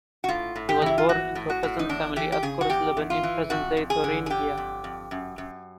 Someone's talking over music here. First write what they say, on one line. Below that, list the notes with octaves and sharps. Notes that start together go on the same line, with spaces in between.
He was born into a peasant family at Gorsleben in present-day Thuringia.
F#4
A2 F4
A2
G4
E3 E4
F4
E3 F#4
A2
F#4
A2
D#4
E2 D4
E3 G4
G4
C#3 G#4
F#4
E2 G4
E2
F4
E3
F2 F#4
F2
G#4
D3
G#4
D3 G4
F2
F2
F#2
F#2